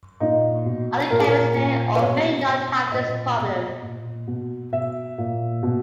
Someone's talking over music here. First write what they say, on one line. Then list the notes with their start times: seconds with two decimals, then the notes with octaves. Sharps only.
Other cameras may or may not have this problem.
0.20 A#2 D#4
0.65 B2
1.10 A#2 A#4
1.19 G#4
1.28 A#4
1.56 A#2
1.95 B4
2.01 B2 C#5
2.46 B2
2.92 A#2 D#5
3.37 B2
3.82 A#2
4.27 B2
4.72 B2 E5
5.18 A#2
5.63 B2